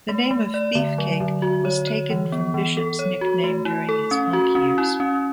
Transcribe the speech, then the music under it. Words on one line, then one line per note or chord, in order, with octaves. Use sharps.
The name of Beefcake was taken from Bishop's nickname during his punk years.
A3
A3
D5
D3
F#3
D3
F#4
C#5
C#5
E3
B3
E3
A4
C#5
F#4
A3
E4
A4
C#4
F#4
C#4
E4
C#4